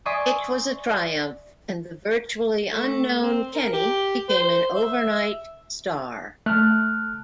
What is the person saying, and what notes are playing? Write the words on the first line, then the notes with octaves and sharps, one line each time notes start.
It was a triumph and the virtually unknown Kenny became an overnight star.
D5 E5 G#5 C6 C#6 D#6
A3
C4
A#4
G4
C5
E5
A3 A5 F6 F#6